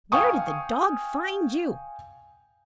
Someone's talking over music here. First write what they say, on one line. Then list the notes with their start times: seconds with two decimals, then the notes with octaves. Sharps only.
"Where did the dog find you?"
0.12 F5 G5 G#5 C#6 D#6